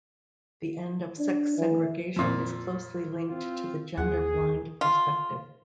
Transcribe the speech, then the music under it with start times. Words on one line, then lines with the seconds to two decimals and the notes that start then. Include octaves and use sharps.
The end of sex segregation is closely linked to the gender blind perspective.
1.19 D4
1.58 E3
2.16 F2 A#2
3.29 C4 F4
3.97 D#2 G#4 F#5
4.81 F4